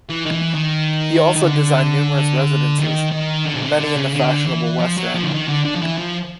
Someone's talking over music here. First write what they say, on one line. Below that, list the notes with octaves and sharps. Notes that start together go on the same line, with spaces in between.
He also designed numerous residences, many in the fashionable West End.
E3
D#3
E3
D#3
D#3
D3
D#3
D#3
D3
B2
C3
D3
C#3
D3
E3
F3
F#3
F3
D3
D#3
D3
D3
F3
E3
F3